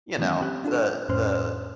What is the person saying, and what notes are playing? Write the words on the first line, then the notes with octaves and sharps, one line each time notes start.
you know, the the
D#3 E3 F#3 G#3 B3 C#4
C4 G4 F#6
D4 F4 A4
F2 A2 C#4 C5 C6 F6